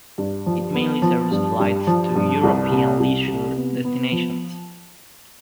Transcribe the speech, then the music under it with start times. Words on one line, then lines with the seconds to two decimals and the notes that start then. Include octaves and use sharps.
It mainly serves flights to European leisure destinations.
0.18 G2
0.46 F3
0.74 B3
1.02 F3
1.31 G2
1.59 G2
1.87 F3
2.16 G2
2.43 C2
2.71 C3
3.00 C2
3.28 C3
3.56 B3
3.85 B3
4.12 F3